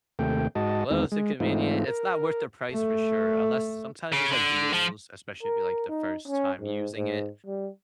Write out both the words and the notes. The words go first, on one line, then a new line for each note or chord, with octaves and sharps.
Well, it's inconvenient, it's not worth their price for sure, unless sometimes there's like deals, especially if you're like the first time using it,
D#2 C3 A3 G5
G#2 F#4 D#5 A5
E2 D#3 G#3 B3 C4 D#4
G#3
G#2 E3 A3 C4 D#4 F4
A#4
A3
C#3
D3
F3
A#4
D#4
C#4
G#2
G#2
G3